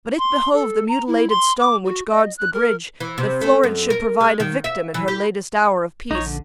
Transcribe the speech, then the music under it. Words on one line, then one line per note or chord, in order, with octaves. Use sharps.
But it behoved the mutilated stone Which guards the bridge, that Florence should provide A victim in her latest hour of peace.
C6
A4
A#5
E4
C6
D6
F#4
D#5
F#6
A#4
E3
C3
A3
F#2
A#4
G#3
D#3
E5
E3
G4
A#1 D#4 C#5
D3